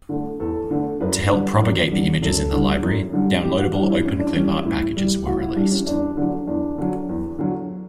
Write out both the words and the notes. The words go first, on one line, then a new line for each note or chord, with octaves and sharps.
To help propagate the images in the library, downloadable Openclipart packages were released.
D3 A3
E2 A4
D3 A3
F#2 B4
D3 G3
F#2
D3 G3
F#2 A4
D3 G3
F#2
D3 G3
A2 G4
F#4
E3 G3 D4
E4
A2 C#4
D4
E3 G3 C#4
A2 E4
E3 G3
A2 F#4
E4
E3 G3 D4
C#4
E2 D4
D3 F#3
E2 D4
D3 F#3
E2
D3 F#3